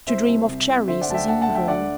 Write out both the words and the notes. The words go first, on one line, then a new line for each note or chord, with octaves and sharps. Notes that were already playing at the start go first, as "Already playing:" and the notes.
To dream of cherries is evil.
C2 C5 E5
C2
C3
C2
D3 C5 E5
D5 F#5
D2 A5
E5 G5
D2 F#5 A5
F#5 A5
D2
E5 G5
D3 D5 F#5